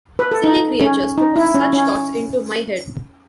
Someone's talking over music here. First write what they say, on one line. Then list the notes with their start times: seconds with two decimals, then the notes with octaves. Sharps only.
Silly creatures, to put such thoughts into my head!
0.19 B4
0.32 A4
0.44 D#4
0.81 C#4
1.18 D#4
1.36 E4
1.54 C#4
1.73 C#4